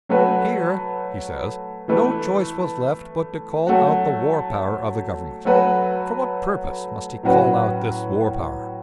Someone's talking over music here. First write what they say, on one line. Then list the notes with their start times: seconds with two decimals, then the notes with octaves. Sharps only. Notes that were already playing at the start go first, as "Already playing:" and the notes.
"Here," he says, "no choice was left but to call out the war power of the Government." For what purpose must he call out this war power?
0.09 F#3 A3 F#4 B4
1.88 E3 A3 E4 B4
3.67 F#3 A3 F#4
5.45 F#3 A3 F#4 B4
7.23 A2 F#3 C#4 F#4 B4